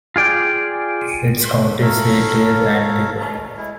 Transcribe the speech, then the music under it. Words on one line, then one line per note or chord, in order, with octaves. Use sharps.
Its county seat is Antigo.
F4 G#4 D5 G5
A4 A#4 C#5 F5
G#3 E4